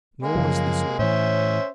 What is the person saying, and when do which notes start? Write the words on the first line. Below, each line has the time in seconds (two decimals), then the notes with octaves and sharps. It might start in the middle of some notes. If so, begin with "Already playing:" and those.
Nor was this all.
0.22 G#3 A#3
0.35 F#2 C#3 F3
0.99 A2 E3 C#4 C5 E5